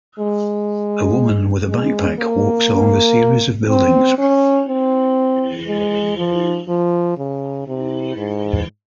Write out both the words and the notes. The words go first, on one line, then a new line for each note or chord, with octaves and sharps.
A woman with a backpack walks along a series of buildings.
G#3
G#3
A#3
C4
C#4
C4
G#3
F3
F3
C#3
C3
G#2